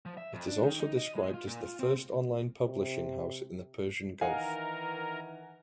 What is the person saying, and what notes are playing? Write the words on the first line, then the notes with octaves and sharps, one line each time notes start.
It is also described as the first online publishing house in the Persian Gulf.
F3
E5
F2
D4
D#3
D#4
D#5
G#3
F4
A#2
F4
C4
C3
D#3 E3 A#4 D#5 F5 F#5 G#5